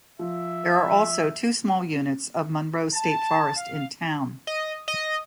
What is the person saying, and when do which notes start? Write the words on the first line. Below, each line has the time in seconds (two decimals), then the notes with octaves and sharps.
There are also two small units of Monroe State Forest in town.
0.19 F3 E5
2.95 A5
3.56 F5
4.47 D#5
4.88 D#5